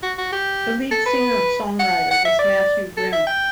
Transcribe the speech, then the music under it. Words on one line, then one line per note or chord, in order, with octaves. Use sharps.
The lead singer-songwriter is Matthew Grimm.
F#4
F#4
G4
A4
B4
F#5
F#5
E5
D5
A4
E5
G5